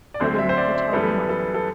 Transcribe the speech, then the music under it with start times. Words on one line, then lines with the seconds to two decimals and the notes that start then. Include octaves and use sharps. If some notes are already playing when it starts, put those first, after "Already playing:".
I will never tell your mother.
0.14 D5
0.20 D2 D3 F#3 C4 C5
0.39 E5
0.49 C5
0.57 D5
0.75 E5
0.93 F#2 E3 G3 B3 A4
1.29 A4
1.54 A4